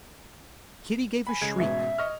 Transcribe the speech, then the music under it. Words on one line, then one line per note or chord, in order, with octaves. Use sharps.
Kitty gave a shriek.
G#5 B5
C#3 G#3 G#6
A1 G#2 B2 E5
D#5 C#6 F6